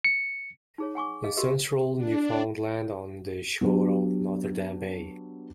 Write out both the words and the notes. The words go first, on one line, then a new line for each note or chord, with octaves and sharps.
In Central Newfoundland, on the shore of Notre Dame Bay.
C#7
D#4 G#4 C#5
F#5 G#5 C#6 D6
G#4 D#5 F5
F#4 G4 A4 A#4 D#5
D4
F#3 B3 D4 G4